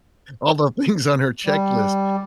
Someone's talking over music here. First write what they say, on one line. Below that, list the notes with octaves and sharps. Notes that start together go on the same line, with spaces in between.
all the things on her checklist,
G3